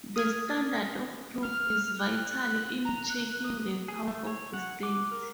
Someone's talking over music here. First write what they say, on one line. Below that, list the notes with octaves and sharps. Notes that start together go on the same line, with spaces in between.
The standard of proof is vital in checking the power of the State.
D#6 F6 G#6
F6
F#6
F#6
A#5
F#6
D#6
G#4
A3
C#5
F#5
D6
A#4